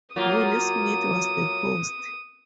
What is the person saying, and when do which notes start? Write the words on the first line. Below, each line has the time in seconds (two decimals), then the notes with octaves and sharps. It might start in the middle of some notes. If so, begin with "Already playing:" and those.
Will Smith was the host.
0.16 F#3 A#3 F4 D#6